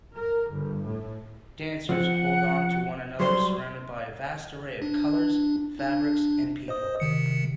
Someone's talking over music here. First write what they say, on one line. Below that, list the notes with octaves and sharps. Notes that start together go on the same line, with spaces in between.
Dancers hold on to one another surrounded by a vast array of colors, fabrics and people.
A#4
G1
A2
F3 C4 F#5
F#3 G3 C5 C6
D4
D4
C5 D#5 D#6
C3 D#3 C#7